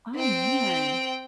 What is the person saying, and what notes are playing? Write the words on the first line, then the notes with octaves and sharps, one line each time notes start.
Oh, man.
C4 G5